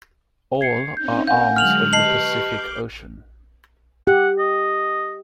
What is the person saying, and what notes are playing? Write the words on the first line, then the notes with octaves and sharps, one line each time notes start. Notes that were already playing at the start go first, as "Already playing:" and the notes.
All are arms of the Pacific Ocean.
G#6 C7 C#7
C4 C#4 D#4 G6
A#4 F5 F#5 G#5 G6
D3 F#3 G#3 F6 F7 F#7
G4 B4 D#5 A5 C#6 C7 F#7
D6 G6
G4 F#5
D#5